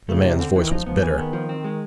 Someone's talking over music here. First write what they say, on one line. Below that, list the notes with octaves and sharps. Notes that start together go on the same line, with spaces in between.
The man's voice was bitter.
C#3 A3
C3 D#4
D3 C4
D#3 E3
F3 D#4
F3 B3
E3 G#4
D#3 B3
F3
C4
G#3